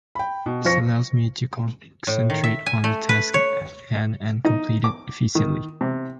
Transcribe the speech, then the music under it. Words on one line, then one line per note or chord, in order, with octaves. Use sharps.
This allows me to concentrate on the task at hand and complete it efficiently.
G5 B5
B2
F2 F4 C5 C#6 A#6 C#7
A2
D#3
E5
G#5
A3
B4
C#5
D#4
D6
D#3
C3